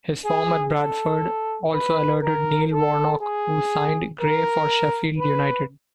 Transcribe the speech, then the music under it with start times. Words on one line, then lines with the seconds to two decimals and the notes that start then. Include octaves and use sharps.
His form at Bradford also alerted Neil Warnock who signed Gray for Sheffield United.
0.24 G#4
0.74 A4
1.73 B4
2.21 A#4
2.72 A4
3.20 G#4
4.20 A#4
5.18 B4